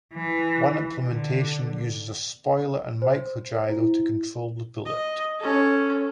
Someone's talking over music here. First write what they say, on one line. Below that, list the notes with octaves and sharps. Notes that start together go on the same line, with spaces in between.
One implementation uses a spoiler and micro gyro to control the bullet.
E3
D3
C5
E4
D#5
C#4 A4